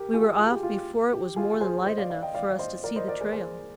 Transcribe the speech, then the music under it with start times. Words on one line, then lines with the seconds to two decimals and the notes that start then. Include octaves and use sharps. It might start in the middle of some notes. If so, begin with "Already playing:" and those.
We were off before it was more than light enough for us to see the trail.
Already playing: G4 A#4
0.14 F4 G#4
0.38 F4
0.46 G#4
0.51 G4
0.63 F4
0.75 G4
1.13 G4
1.36 F4 G#4
1.61 G#4 C5
1.86 C5 D#5
1.98 D5 F5
2.10 D5 F5
2.22 D#5 G5
2.35 D5 F5
2.59 C5 D#5
2.84 A#4 D5
2.96 C5 D#5
3.08 A#4 D5
3.20 G#4 C5
3.33 G#4 C5